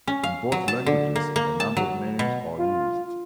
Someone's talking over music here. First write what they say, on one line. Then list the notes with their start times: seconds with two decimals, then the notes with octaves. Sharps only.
In both languages, a number of names are used.
0.07 C#4
0.24 F5
0.52 F#3
0.68 A5
0.86 D3
1.16 A#3
1.36 A#3
1.60 A5
1.77 F#3
2.19 B2
2.58 F4